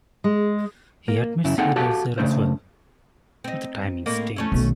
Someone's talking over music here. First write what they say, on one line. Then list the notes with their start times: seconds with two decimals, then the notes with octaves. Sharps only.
He admits he loves her as well, but the timing stinks.
0.24 G#3
1.08 A#3
1.44 F#2 C#3 E4
1.58 A#3 C4 D#4 G#4 A4 F#5
1.76 F#4 G4 A4 F5
2.18 C#3 A3 D4 C5
3.44 C4 D#4
4.06 A2 A#3 D#5
4.36 A3 C#4 E4
4.52 B1 D#3